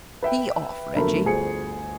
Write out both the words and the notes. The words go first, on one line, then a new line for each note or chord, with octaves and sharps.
"Be off, Reggie!"
B4 E5 G5
F1 B1 D3 A3 A#4 B5
G1 D2 G#4 C5 C#7